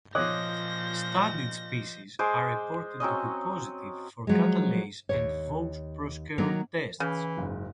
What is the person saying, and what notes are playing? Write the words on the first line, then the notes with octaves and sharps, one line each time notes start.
Studied species are reported to be positive for catalase and Voges–Proskauer tests.
A#2 F3 C#5 D#5 D6 F#6 G6 A#6
G#3 C5 D6
F#3 C4 C#4 D#5
F3 F#3 G#3
D#2 C#3 C#5
D#3 F#3 A#3 A#4
C#3 E3
F#1 G#2